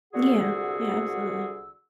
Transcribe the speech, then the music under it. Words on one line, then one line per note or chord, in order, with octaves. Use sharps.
Yeah, yeah, absolutely.
C2 D3 F#4 G#4 F#5 E6